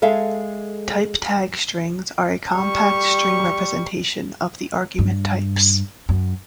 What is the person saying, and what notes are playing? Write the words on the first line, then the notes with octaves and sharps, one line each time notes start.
Type tag strings are a compact string representation of the argument types.
G#3 G#4 A4 E5 F5
G3 C#6
G2
F#2